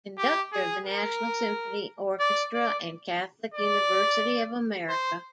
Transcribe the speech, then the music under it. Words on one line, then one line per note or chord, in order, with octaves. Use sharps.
Conductor of the National Symphony Orchestra and Catholic University of America.
G4
G#4
A#4
D5
D5
D5
C5